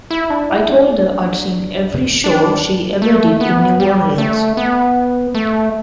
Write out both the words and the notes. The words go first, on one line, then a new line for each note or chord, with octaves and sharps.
I told her I'd seen every show she ever did in New Orleans.
E4
D4
E4
D4
C#4
D4
D4
A3
B3
G3
A3
B3
A3